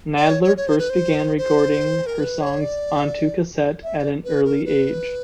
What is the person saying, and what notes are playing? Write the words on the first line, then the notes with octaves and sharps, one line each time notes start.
Nadler first began recording her songs onto cassette at an early age.
D5
C#5
C#5
C#5
C5
B4
C5
C5
A#4
B4
C#5
D5
E5
D5
B4
A#4
B4